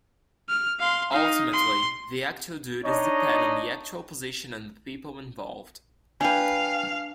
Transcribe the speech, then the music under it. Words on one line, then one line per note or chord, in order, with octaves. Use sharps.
Ultimately the actual duties depend on the actual position and the people involved.
F6
F5 C6
D#4 F5
C6
D4 D#4 C#5 D#5
D4 B4 F5 G5 G#5